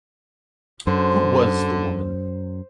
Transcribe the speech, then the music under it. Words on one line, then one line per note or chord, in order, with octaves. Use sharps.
Who was the woman?
F#2 D3 C5